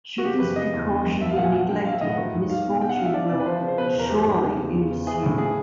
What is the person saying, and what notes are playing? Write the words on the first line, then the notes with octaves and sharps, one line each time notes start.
Should this precaution be neglected misfortune will surely ensue.
F#4
C#3 G4
F#2 B4
C#3 D#5
E2
D3
F#2
F3 E5
F5
A#2 F#5
G#5
F3 F#5
D3 G5
F#3 F5
E5
A2 D#5
F#5
D#3
G#2
G3 F5
B2
G3 G5
F#5
D3 F5
E5
F3 D5
C3 D5
B4
F3 C5
C#3
C5
B2 B4
E2
A#4
E3 G4
G#2
C#3
E2
C#3
E2
E3 G#4
A2
C#3 G#4